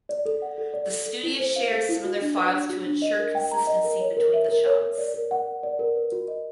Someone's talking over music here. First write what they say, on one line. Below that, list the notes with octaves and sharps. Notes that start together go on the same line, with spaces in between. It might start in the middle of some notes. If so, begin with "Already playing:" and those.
The studios shared some of their files to ensure consistency between the shots.
D5
A4
F#5
A4
D5
A4
A4
E4
C5
F5
A4
E4
F#4
D4
B4
D4
F#4
D4
D#5
A#4
G5
A#5
D#5
A#4
C#5
A#4
E5
A#4
C#5
A#4
D5
A#4
F#5
A#4
D5
A#4
B4
F#4
D#5